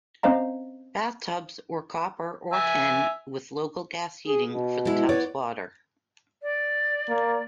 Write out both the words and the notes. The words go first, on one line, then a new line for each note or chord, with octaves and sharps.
Bathtubs were copper or tin, with local gas heating for the tub's water.
C4 C#4 C5 D#5 F5 A#5
E5 G#5
G#4
B2
G#3 E4
B3 C#5 D5
D5
A#3